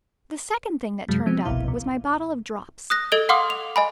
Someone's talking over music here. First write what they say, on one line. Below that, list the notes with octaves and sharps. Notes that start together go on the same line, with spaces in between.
The second thing that turned up was my bottle of Drops.
F#2 C3 F#3 G#3
F3 B3 C4
G1 C2 B2 E4 F5
C2 B2
D#6 F#6 A#6
A4 D#5 G#6 D7 G7
F5 F#5 C6 D6 D#6 F6
F7
D#5 G#5 B5